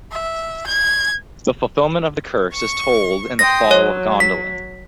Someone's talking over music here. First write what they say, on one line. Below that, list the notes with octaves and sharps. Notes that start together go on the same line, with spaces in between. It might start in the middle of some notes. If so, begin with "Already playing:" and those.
The fulfilment of the curse is told in the "Fall of Gondolin".
E5
G#6
C#6
G5 C6 D#6 A#6
F#3 C#5
B6